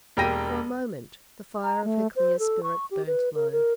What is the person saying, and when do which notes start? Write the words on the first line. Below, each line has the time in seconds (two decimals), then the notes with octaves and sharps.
For a moment the fire of her clear spirit burnt low.
0.17 E1 A#3 G4 G5 A#6 D#7
1.64 A#5
1.84 A3
2.16 C5
2.39 A4
2.63 C#6
2.91 G4
3.07 B4
3.35 A#4
3.52 A#4